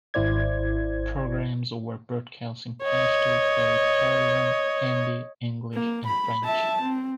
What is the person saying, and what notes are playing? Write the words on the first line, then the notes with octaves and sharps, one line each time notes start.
Programs were broadcast in Pashto, Dari-Persian, Hindi, English, and French.
G#1 E4 C5 D5 G#6
C#5 D#5
A#3
B5
E5 A5
C4